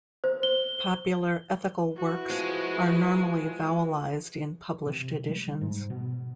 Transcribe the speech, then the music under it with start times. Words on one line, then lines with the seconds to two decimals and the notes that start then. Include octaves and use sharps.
Popular ethical works are normally vowelized in published editions.
0.24 C5
0.43 G7
1.97 E4 F#4 B4
2.30 F3 G#3
4.86 C3
5.29 G3
5.61 G#2
5.90 B2